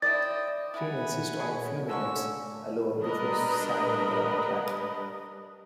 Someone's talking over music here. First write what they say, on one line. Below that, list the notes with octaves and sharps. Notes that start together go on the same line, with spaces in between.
She insists on a few minutes alone before signing the contract.
C4 E4 D5 D#5 G5 A6
E4 F#5 G#5 B5
B2 G#4 C#5
D3 F3 C#4 C#6 E6
G3 D4 A#4 B4 D#5